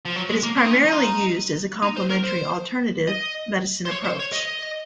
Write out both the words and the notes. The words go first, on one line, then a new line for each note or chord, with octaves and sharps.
It is primarily used as a complementary alternative medicine approach.
F3
F#3
G#3
A#3
C4
D#4
C#4
D#4
F4
D#4
D#4
C5
A#4
C5
D#5
C5
C#5
C5
C#5
D#5